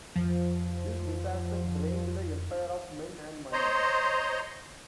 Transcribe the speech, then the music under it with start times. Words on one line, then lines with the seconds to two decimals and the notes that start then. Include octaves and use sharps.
This disaster drained the Empire of men and money.
0.16 F2 F3
3.52 C5 C#5 D#5 A#5 C6